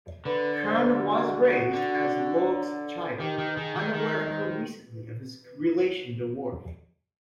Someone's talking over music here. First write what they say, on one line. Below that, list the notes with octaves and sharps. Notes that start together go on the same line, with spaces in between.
Kurn was raised as Lorgh's child, unaware until recently of his relation to Worf.
D3 B4
C5
F#4
D3
D#3 G4
D#3
D#3 G#4
D#3
D#3 A#4
C5